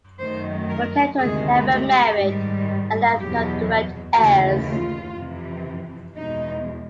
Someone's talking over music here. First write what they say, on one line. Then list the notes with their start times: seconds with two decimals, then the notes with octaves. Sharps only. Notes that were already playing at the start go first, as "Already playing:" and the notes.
Botetourt never married and left no direct heirs.
0.19 F#2 D#3 F#3 A3 C5
0.68 A#4
1.18 D2 C3 D#3 G#3 G#4
1.69 G4
2.18 G#2 D#3 G3
3.18 E2 B2 F#3 G4
4.16 D#2 C#3 E3 A3 F#4
4.67 F4
5.16 F2 C3 E3
6.16 E2 B2 G#3 D#4